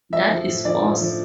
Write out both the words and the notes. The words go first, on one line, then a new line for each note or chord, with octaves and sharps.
That is force.
F3 E5
F3
A2
F3 D5
A2
F3